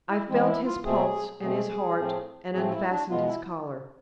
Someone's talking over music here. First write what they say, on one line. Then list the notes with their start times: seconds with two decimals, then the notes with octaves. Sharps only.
I felt his pulse and his heart, and unfastened his collar.
0.10 E4
0.29 E3 G#3 C4
0.47 E4
0.66 F4
0.85 B2 A3 C4 G#4
1.40 B2 A3 C4 G#4
1.97 A2 F3 A3 C4
2.53 A2 F3 A3 C4 G#4
2.72 E4
2.91 D4
3.10 B2 G#3 B3 F4
3.28 E4